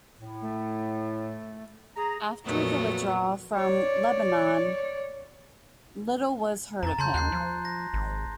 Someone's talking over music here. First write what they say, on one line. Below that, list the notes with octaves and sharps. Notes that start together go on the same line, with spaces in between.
After the withdrawal from Lebanon little was heard of him.
A2
A3
G#4 A#5
F2 A#2 F#3 A3 B3
C#5 D5
F2 A#5 A6
C#3 A5 C6 G6
D#2 F#6 G6 C7
F3
A#6
G#1